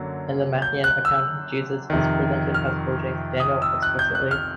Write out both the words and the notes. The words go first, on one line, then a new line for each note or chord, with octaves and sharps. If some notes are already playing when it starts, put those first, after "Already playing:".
In the Matthean account, Jesus is presented as quoting Daniel explicitly.
Already playing: F#2 D3 F#3 A#3
G6
F#6
E6
F2 C3 D#3
F6
D#6
E6
F#6
G6
F#6
F6